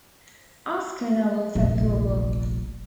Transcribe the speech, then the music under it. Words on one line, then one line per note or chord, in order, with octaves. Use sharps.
Oskar now works at Google.
F1 A#1